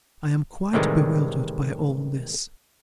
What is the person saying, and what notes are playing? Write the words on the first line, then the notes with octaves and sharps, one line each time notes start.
I am quite bewildered by all this.
A2 C3 D#3 E3 G3 G#3